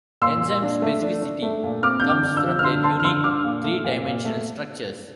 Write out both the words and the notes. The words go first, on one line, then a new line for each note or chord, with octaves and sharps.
Enzymes' specificity comes from their unique three-dimensional structures.
A#2 C6 E6
A#2
D4
A3
D4
D4
A3
A#2
C4 D6 F6
D3 G6
D6 F6
D3
E6 G6
F3
F6
D3 C6 E6
D3 A5 C6
F6
D3 C6 E6
D3 D6 F6
A#2
A3
A#2
A#2
A3